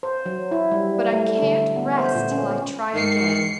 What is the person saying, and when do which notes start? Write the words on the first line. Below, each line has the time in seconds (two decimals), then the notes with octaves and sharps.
"But I can't rest till I try again."
0.03 C5
0.26 F#3
0.51 E4
0.72 G3
1.12 A3
1.42 D3
1.76 B3
1.99 C5
2.15 A#2
2.32 C#4
2.94 G#2 D#3 C7 C#7